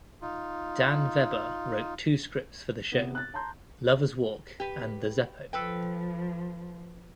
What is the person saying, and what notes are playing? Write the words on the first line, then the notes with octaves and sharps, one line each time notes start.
Dan Vebber wrote two scripts for the show: "Lovers Walk" and "The Zeppo".
D#4 F4
C3 B3
F#6 A6
A5 A#5 C6 G6
G4 B4
F3 A4 B4 G5